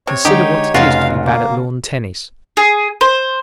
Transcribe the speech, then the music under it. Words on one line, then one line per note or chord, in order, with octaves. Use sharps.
Consider what it is to be bad at lawn tennis.
C3 C#5
D3 G#3 D#4 G4
F1 C#3 F4 F#4 F5
A#3
G#4
C5